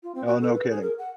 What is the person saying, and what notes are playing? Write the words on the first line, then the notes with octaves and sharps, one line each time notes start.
Oh, no kidding.
F4
C4
F#4
A4
B4
G#4
A#4
F#5